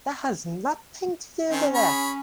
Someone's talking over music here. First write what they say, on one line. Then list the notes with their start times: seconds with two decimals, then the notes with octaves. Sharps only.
That has nothing to do with it!
1.50 D#3 C4 C#4
1.74 G#4 C#5 B5